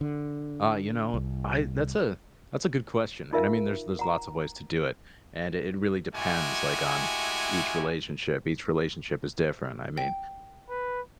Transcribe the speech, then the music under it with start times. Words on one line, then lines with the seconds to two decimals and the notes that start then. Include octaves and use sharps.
Ah, you know, I that's a that's a good question and I mean there's there's lots of ways to do it, and it it really depends, like, on each relationship. Each relationship is different, I mean,
0.01 D3
1.14 C2
3.33 D#4 F4 A#4 E5 F5
3.99 F#5 A#5
6.14 G#3 A3 E4 F#4 G4 G#5
9.98 G5
10.69 B4